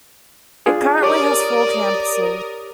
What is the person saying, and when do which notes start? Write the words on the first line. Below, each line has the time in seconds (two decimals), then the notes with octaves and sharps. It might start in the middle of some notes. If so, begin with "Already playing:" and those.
It currently has four campuses.
0.66 D4 F4 G#4
1.02 G4 A#4 C#5 D5 D6 D#6